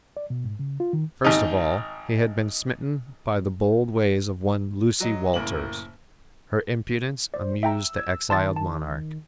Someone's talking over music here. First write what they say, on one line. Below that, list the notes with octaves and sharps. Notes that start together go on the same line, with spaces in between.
First of all, he had been smitten by the bold ways of one Lucy Walters. Her impudence amused the exiled monarch.
D5
B2
G#2
C#3
F4
D#3
G#1 D#4
F#3 D#5
F#1 A2 A#3 F#7
C5 D5
E5 G5 A#5 E6
G#6
D#3 A5 C6 A6
A5